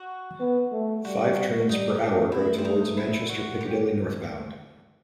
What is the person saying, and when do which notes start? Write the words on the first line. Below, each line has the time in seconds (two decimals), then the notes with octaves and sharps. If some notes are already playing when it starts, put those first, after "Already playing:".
Five trains per hour go towards Manchester Piccadilly northbound.
Already playing: F#4
0.40 B3
0.72 A3
1.04 G3 F#4
1.68 G3 D#4
2.00 A3
2.32 A3 E4
2.58 C4
2.65 D#4
2.97 E4
3.29 F#4
3.61 G4